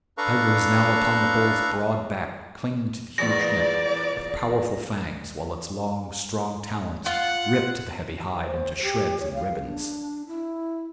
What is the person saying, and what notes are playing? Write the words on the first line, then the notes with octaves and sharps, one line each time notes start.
The tiger was now upon the bull's broad back, clinging to the huge neck with powerful fangs while its long, strong talons ripped the heavy hide into shreds and ribbons.
D4 A4 B4 F5 A#5 C#6
E2 A#2 D5 A#6
F4 F#5
C5
G4
C#5
F5
D4
E4